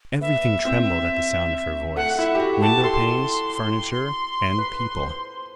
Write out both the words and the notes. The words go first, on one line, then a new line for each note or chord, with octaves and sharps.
Everything trembled at the sound of her voice,--window panes, furniture, and people.
B3 E5
C4
A3 F#5
F#5
E4 E5
G4
F#4
G4 A5
A4 C6
B4
C5